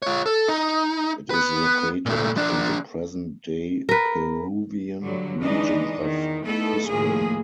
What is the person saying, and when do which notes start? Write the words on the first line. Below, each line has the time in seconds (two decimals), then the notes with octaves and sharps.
It is located in the present-day Peruvian region of Cusco.
0.02 F4 C#5
0.26 A4
0.48 D#4
1.30 B3 B4
2.06 A#2 A3
2.36 F3 D4
3.89 A#4 B4
5.05 G2 D3 F#3
5.41 E3 G#3 D4 D#4 D#5
6.00 E2 D#3
6.45 A3 B3 D#4 E4 A4
6.87 D#2 A2 F3 A#3 G#4